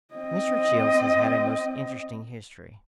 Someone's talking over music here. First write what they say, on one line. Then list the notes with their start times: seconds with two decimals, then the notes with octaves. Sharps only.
Mr. Childs has had a most interesting history.
0.14 C4 D#5